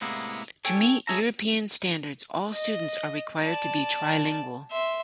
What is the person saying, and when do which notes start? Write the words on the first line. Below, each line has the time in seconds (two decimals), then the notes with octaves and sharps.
To meet European standards, all students are required to be trilingual.
0.01 A2 C3 G#3 A#3 B3 E4
0.65 A4 C#5 G5 G#5
1.07 G#4 A4 C#5 E5 A5 A#5
2.53 D#5
3.42 D5 A5
4.71 E5 C6